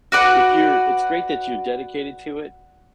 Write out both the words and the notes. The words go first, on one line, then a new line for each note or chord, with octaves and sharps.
if you're it's great that you're dedicated to it,
F#4 B4 D5 F#5